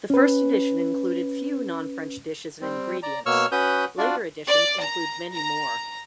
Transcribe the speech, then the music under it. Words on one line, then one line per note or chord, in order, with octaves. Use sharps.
The first edition included few non-French dishes and ingredients; later editions include many more.
C#4 B4
G3 C4
D5 A#5
B2 A#3 C#5 C#6 E6 F6
C#4 F#4 B4 D#6 G6
D4 F4 F#4 D5
D5
A#5
A#5